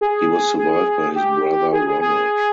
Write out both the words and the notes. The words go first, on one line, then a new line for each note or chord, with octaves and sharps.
He was survived by his brother Ronald.
G#4
G#4
G4
G#4
G#4
G#4